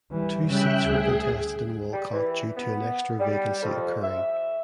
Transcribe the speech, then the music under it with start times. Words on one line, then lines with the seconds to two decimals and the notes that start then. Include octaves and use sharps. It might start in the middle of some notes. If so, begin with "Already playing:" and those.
Two seats were contested in Walcot due to an extra vacancy occurring.
0.11 E3 G3
0.47 C#3 G3 E5 G5 F#6
0.83 D2 G#4
1.92 G3
2.12 E3
2.57 B3
3.20 G3
3.62 F2
4.02 E5